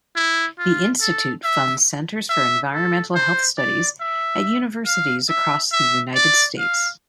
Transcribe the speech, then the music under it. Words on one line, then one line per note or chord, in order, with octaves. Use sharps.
The Institute funds centers for environmental health studies at universities across the United States.
E4
F4
A4
E5
E5
A4
C5
D5
E5
F5
E5
E5
D5
F5